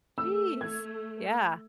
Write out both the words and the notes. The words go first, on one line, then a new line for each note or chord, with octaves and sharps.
Jeez, yeah.
A3 E6
G#6